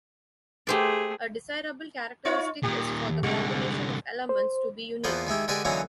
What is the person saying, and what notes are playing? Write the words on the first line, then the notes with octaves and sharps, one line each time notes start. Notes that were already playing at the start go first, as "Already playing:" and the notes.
A desirable characteristic is for the combination of elements to be unique.
A3 G4 G#4 C5 D5
D#4 F4 C#5
A#2 D#3 G4
C2 D3 G3
C5
E2 F3 A#3 B3 C5
D#3 G#3 E4 G4
D3 G#3 G4 B4 D5 G#5
D3 E3 F#3 A#3 C#4 D#4